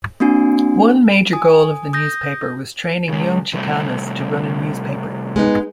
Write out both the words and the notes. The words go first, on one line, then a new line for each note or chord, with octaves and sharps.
One major goal of the newspaper was training young Chicanas to run a newspaper.
A#3 C4 D4 F#4 G#5
G#5 D#6
D#6 G6 A#6
C#3 G#3
C3 G3 A3
G#3 B3 D#4